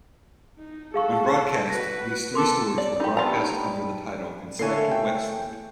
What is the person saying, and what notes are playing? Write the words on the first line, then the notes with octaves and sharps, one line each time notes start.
When broadcast, these three stories were broadcast under the title "Inspector Wexford".
D#4
G#4 A4 F5 F#5 C#6
A4
F#4 B4 A#6
B3 A4 A#4 C6 D6
D5
D#4 G4 B5
G3 B3 D4 F4 A#5 E6
D#4
D3 A3 A#3 E4 A4 C#5 G#5 C7
G5